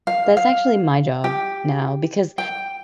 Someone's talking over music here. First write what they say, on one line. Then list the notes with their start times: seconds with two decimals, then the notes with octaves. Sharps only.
that's actually my job now because
0.07 F5
0.37 F5
1.24 G4
2.38 G5